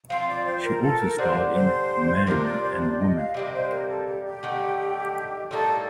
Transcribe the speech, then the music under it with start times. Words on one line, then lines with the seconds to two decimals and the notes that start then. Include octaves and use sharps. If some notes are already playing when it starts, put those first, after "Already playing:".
She also starred in "Man and Woman".
0.10 F3 C4 F4 F5
0.29 D5
0.46 C5
0.64 A#4
0.82 A4
1.00 A#4
1.18 D3 G3 D4 C5
1.54 C5
2.26 C3 G3 D4 F4 A#4
2.44 D5
2.63 C5
2.80 D5
2.99 D#5
3.17 F5
3.34 C3 G3 A#3 D#5
3.53 C5
3.70 A#4
3.88 A4
4.06 G4
4.25 G4
4.43 D3 A3 D#4
5.51 A2 G3 A#3 D#4 A4